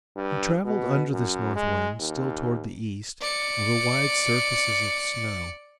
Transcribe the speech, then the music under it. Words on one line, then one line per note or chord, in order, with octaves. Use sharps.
He travelled under this north wind, still towards the east, over wide surfaces of snow.
G2
B2
F#2
G#3
D#2
D5 C#7